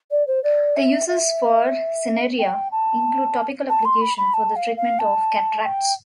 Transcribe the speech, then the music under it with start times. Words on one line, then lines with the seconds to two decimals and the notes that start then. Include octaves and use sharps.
The uses for "Cineraria" include topical application for the treatment of cataracts.
0.11 D5
0.27 C5
0.44 D5
0.76 E5
1.09 E5
2.39 G5
2.72 A5
3.69 A5
3.85 C6
4.01 B5
4.18 B5
4.34 A5
4.56 F5
4.77 F5
4.99 A5
5.64 G5